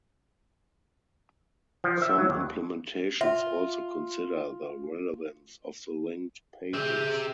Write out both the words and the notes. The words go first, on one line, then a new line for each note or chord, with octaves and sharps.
Some implementations also consider the relevance of the linked pages.
F3
E5
F#3
D#2
F4 E5
G4 G#4 E5